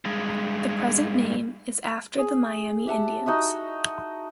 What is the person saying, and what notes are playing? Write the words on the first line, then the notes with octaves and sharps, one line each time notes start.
The present name is after the Miami Indians.
G2 G#3
G#4
G4 E5 F#5 A5
D#4 F#4 D#5 E5